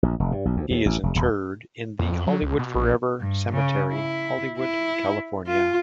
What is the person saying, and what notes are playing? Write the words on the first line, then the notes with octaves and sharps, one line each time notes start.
He is interred in the Hollywood Forever Cemetery, Hollywood, California.
A#1
F1
G2
B1
D2
D#2
A1
F1
D#1
F2
F2
F#3
C#2
B2
A#1
G2
C#3
E4
E4
F4